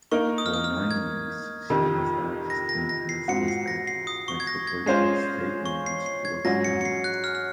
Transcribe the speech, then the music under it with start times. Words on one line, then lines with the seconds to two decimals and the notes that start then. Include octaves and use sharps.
For nine years she was artist in residence at Metropolitan State University of Denver.
0.12 A#3 D#4 A#4 C#6
0.38 D#6
0.46 F6
0.54 D#6
0.64 F6
0.91 G#6
1.70 F2 C3 D#3
2.50 A#6
2.69 A#6
2.89 A#6
3.09 C7
3.28 G#2 F3 C4 F#4 C#7
3.48 C7
3.68 A#6
3.87 C7
4.07 D#6
4.28 C#6
4.40 G#6
4.47 A#6
4.67 G#6
4.86 G#3 C#4 F4 C5 C7
5.66 C#6
5.86 C7
6.06 C7
6.25 G#6
6.45 G#2 F#3 C#4 A#6
6.64 C#7
6.81 C#7
6.85 C7
7.04 F#6
7.24 F6
7.35 F6